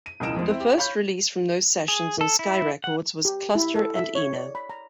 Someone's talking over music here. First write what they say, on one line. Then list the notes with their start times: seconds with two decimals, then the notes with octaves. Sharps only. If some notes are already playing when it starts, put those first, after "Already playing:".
The first release from those sessions on Sky Records was "Cluster and Eno".
0.06 D#7
0.20 E1 C#2 E3 D#5 D7 E7
0.36 F2 F3 G#3
0.48 C4 E4
0.60 G4
0.77 C#5 F5 B5 G6
1.88 G#4
2.21 A4
2.39 E4
2.84 F#5
3.25 G4
3.55 E4
3.75 A4
3.95 E5
4.15 C#5
4.36 D5
4.55 B5
4.70 A#5